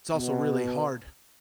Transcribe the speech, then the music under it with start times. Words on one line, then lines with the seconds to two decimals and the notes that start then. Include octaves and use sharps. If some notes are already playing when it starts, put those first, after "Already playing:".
It's also really hard.
0.15 B2